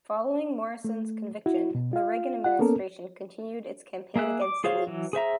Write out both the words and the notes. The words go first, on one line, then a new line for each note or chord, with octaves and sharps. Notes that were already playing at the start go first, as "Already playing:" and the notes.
Following Morison's conviction, the Reagan administration continued its campaign against leaks.
A3
E4 F#4
B2
F4 F5
F4 F#5
A#3 B3 C#4 A4 A#4
A#3 G#4 E5 F#6
D6
F4 G#4 C5 C#5 F5
E3 F#3
G#4 C5 E5 A#5